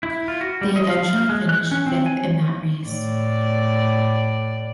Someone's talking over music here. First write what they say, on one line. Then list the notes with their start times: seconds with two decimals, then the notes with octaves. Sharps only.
They eventually finished fifth in that race.
0.03 E4
0.28 F4
0.41 F#4
0.61 G3
0.76 D#5
0.90 F5
1.29 G#3
1.49 F#6
1.71 C#4
1.87 C4
2.06 G#5
2.85 A2 D5